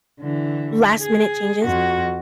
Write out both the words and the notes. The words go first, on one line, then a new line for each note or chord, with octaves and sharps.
last minute changes,
D3 E3
G#4
F2 F#4